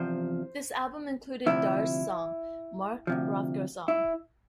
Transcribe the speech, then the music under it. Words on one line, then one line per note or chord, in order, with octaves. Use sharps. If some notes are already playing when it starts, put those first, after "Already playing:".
This album included Dar's song: Mark Rothko Song.
Already playing: E2 C3 F3 C5
D2 C3 F3 E4
D2 C3 F3
E4